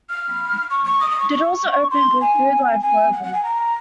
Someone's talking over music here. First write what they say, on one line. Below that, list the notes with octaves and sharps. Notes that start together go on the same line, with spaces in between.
The doors are open for Food for Life Global.
F6
C#6
C#6
D#6
D#6
C#6
C#6
C6
G#5
G#5
F#5
F#5
G#5
A#5